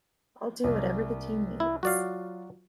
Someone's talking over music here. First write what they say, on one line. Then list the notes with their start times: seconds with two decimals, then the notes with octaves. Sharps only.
I'll do whatever the team needs.
0.64 C2 A#4
1.60 E4
1.83 F#3 F4 F#4 D5 F5